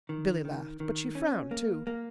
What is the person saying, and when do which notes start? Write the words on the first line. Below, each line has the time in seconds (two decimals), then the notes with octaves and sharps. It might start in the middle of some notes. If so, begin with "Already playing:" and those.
Billy laughed, but she frowned, too.
0.09 D#3
0.45 D#3
0.80 D#3
1.15 C#4
1.51 A#3
1.87 A#3